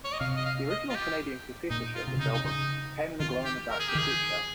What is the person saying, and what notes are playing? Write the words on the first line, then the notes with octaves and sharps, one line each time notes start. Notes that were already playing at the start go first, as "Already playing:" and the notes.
The original Canadian cassette issue of this album came in a glow-in-the-dark cassette shell.
C#5
D#5
C3 F5
D#5
F5
D#5
F4
G4
A#2 D#4
F4
C3
C#3 D#4
C3
D#4
C#3 D#4
D#3 F4
G4
A#4
G#4
G4
D#3 G#4